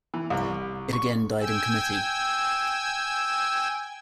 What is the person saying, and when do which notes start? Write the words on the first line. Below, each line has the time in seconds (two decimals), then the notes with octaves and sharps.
It again died in committee.
0.14 E3
0.30 C2
0.93 C#6
1.40 G5 G#5 E6